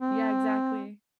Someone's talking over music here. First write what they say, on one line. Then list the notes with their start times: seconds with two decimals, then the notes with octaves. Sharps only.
Yeah, exactly.
0.01 C4